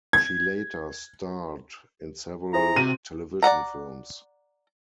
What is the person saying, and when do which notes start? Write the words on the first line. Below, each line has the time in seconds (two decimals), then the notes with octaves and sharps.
She later starred in several television films.
0.13 G#6
2.53 E4 G#4 C5 A#5
2.76 C3 F#4 D#7
3.42 D5 D#5 F#5 A#5